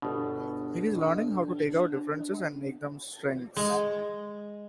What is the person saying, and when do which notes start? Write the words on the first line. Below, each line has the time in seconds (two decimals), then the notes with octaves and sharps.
It is learning how to take our differences and make them strengths.
0.02 G1 B2 D4
3.57 G#3